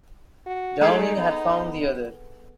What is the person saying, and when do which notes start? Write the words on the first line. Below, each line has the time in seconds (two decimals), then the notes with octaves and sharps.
Downing had found the other.
0.46 F#4
0.81 G#3 D#4 G#4 A4
1.17 B3